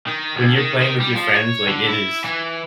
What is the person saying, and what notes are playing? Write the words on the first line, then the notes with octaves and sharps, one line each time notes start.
when you're playing with your friends, like, it is
D#3
D2
D#3
D#3
G3
F3
C#5
D3
E4
E3